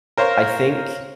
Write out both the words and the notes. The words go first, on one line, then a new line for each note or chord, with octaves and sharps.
I think,
A#4 C5 C#5 F5